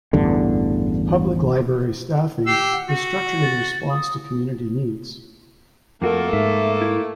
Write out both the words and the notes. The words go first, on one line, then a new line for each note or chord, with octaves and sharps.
Public library staffing is structured in response to community needs.
A1 E2 G2 D3
G4 E6 C7
F#5
F#4
A6
D#6
F2 A3 A#3 F#4 A4 A#4
G#2 E5
E4